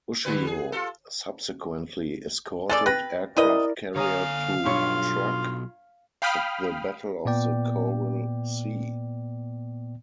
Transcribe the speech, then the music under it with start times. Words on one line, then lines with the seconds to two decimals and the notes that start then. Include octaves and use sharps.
"Ushio" subsequently escorted aircraft carrier to Truk, at the Battle of the Coral Sea.
0.25 D3 G3 B4
0.47 G#4
0.72 F4 F#4 A4
2.70 G#3 A4 D5 A6
2.86 B4 G5 A#6
3.37 C3 E4 A#4 B4 D5 D#5
3.96 D3 C#5 F5 G#5 A#5 D#6
4.65 B1 G2 F4 C#5 C#6
6.22 F5 G5 B5 D#6 F6
7.25 A#2 B3 D5 G5